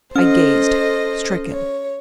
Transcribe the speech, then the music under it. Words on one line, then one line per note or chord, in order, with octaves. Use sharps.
I gazed, stricken.
C#4 A4 C5 D#5 F6
C#5